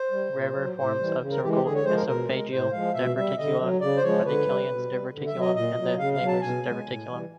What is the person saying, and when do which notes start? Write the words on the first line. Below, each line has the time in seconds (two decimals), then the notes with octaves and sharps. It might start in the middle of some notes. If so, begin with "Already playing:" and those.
Rarer forms of cervical esophageal diverticula are the Killian's diverticulum and the Laimer's diverticulum.
Already playing: C5
0.11 G3
0.33 A#2
0.55 F#3
0.77 A2 C5
0.98 E3 G3
1.20 C#3
1.31 A#4
1.42 E3 G#3 G4
1.53 G4
1.63 D3 G#4
1.75 C#5
1.85 F3 G#3 C5
1.96 A#4
2.07 B2 A#4
2.29 G#3
2.51 A2 C5
2.72 F3 G#3 F5
2.94 B2 E5
3.16 G3 E5
3.38 D3 D#5
3.60 F#3
3.81 C#3 D5
3.97 C5
4.03 F3 G#3 C#5
4.26 D3 B4
4.47 G3
4.69 B2
4.90 G3
5.12 D3
5.27 E5
5.33 F#3
5.41 D#5
5.55 A#2 D#5
5.77 F#3
5.98 C#3 F5
6.13 F5
6.20 F#3
6.28 A5
6.42 B2 G#5
6.65 G#3
6.86 A2
7.08 E3 G3